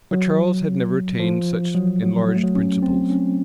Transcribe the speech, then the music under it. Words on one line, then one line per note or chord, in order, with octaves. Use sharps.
But Charles had never attained such enlarged principles.
F#3
F3
F#3
F#3
F#3
A3
F#3
C#4
C4
C#4